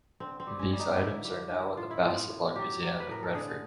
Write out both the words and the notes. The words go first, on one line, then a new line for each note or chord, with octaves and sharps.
These items are now in the Bassetlaw Museum in Retford.
D3 C4
C4
G3
C#4
G3
D#4
D3 E4
G3
D3
A2 F4
E4
A2 F4
A2
F#3 G4
F#3
B4
A2 A#4
A4
D3 G#4